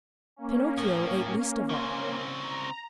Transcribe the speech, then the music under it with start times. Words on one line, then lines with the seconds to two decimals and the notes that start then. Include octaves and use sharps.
Pinocchio ate least of all.
0.36 A#3 C#4
0.78 A2
1.70 C#3 C4
2.41 A#5